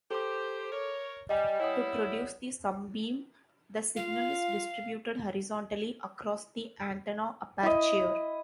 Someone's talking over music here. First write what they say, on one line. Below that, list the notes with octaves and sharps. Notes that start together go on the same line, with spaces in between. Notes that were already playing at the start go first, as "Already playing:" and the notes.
To produce the sum beam the signal is distributed horizontally across the antenna aperture.
G4 A4 C5 D6
A#4 C#5
G3 D#5 G5 G#5
G3 E4 C#5 F#5 D#6
F4 F5
E4 D#5